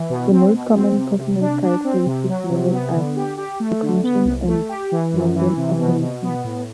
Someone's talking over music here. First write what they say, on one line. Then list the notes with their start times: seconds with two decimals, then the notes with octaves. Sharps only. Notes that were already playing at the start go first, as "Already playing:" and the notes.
The most common performance characteristics measured are sequential and random operations.
Already playing: E3
0.10 B2
0.31 C4
0.53 B2
0.76 C4
0.97 C3
1.18 C3
1.41 D4
1.62 D4
1.84 C4
2.06 C3
2.28 F#3
2.50 C3
2.72 B3
2.94 D3
3.16 G4
3.38 G4
3.60 A3
3.82 D3
4.04 B3
4.25 C2
4.48 A3
4.69 G4
4.92 E3
5.13 F#2
5.35 E3
5.57 C3
5.79 B2
6.01 B2
6.23 B3
6.44 A2